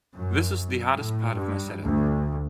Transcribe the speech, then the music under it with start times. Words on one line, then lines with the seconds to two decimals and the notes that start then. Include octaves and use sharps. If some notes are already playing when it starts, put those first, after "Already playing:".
This is the hardest part of my setup.
0.17 F#2
0.96 A2
1.33 G2
1.83 D2